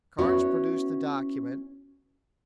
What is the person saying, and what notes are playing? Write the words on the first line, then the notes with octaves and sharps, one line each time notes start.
Carnes produced the document.
B3 C#4 E4 F#4